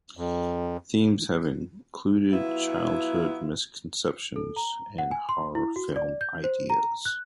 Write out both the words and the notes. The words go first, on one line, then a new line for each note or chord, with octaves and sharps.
Themes have included "Childhood Misconceptions" and "Horror Film Ideas".
F2
F#3 B3 E4 F4
A4
A#5
F#5
G#5
C6
E4
F#4
D5
G6
C5
A#5
F#6